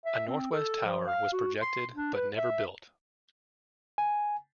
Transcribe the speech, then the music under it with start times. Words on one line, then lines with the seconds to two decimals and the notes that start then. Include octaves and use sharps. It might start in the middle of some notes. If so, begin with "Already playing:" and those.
A northwest tower was projected but never built.
0.06 E5
0.28 C4
0.52 A4
0.85 F3
1.07 F5
1.32 F#4
1.62 C6
1.95 D4
2.14 B4
2.37 E5
3.98 G#5